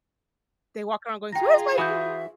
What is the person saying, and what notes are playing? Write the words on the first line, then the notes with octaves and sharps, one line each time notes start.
they walk around going, "So where's my
F4 G#4 G5 A#5 A#6
E3 F#4 E5 G#5 B5 D#6 G6